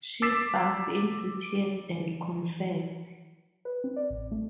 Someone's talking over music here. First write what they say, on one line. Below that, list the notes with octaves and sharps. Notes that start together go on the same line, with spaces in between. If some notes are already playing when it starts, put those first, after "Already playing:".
She burst into tears and confessed.
D6 E6 A6 B6 C7 E7
B4
C4
D5
A1
A3